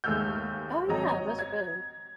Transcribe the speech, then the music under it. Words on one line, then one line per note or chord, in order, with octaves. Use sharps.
Oh, yeah. Those are good.
D#2 G#3 A3 E6 F6 G6
G#1 F#3 C4 C#5 D#5 A#5
G#6